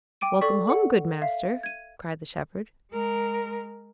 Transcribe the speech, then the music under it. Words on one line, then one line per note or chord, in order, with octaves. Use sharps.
"Welcome home, good master!" cried the shepherd.
G5 D6 D7 D#7
A4 D5 C#6 B6
A4 F#5
E5 F5
G#6 D#7
G#3 A#4